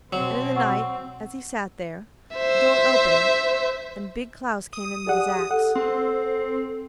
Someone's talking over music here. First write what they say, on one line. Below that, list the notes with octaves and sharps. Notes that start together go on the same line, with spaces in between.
And in the night as he sat there the door opened, and Big Klaus came in with his axe.
B2 F#3 C4
F#5 C#6 E6
C5 E5
D#6
G4 G#4 D5 F#5
A4 F#5
C4 A4